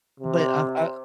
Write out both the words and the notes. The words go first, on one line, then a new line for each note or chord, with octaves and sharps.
But I've I
C3